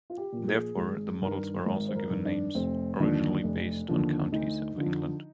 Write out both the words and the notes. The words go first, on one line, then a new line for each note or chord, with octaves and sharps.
Therefore, the models were also given names, originally based on counties of England.
F4
G4
A#2 F3
G#4
G#1 G#4
G2 D#3 A#4
G#1 A#4
C5
A#4
G2 D#3
D4
F1 C4
D#2 D3 F3 D4
F1
D#2 D3 F3
D2 D#4
D3 F3